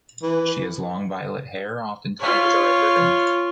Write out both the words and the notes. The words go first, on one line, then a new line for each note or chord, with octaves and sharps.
She has long, violet hair, often tied with a red ribbon.
E3
F4 C#5